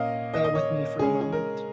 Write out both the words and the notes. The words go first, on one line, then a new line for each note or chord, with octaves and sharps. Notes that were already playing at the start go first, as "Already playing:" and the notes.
Bear with me for a moment.
Already playing: A#2 A#3 C#4 D#5 F5
D#5
D#5
C#5
C#3 G#3 C#4 G#4
G#4
A#4